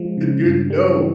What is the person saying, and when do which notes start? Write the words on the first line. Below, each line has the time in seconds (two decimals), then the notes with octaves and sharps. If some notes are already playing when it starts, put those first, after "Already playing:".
you no,
Already playing: F3 G#3
0.17 C#3
0.44 G2
0.70 G3
0.97 E3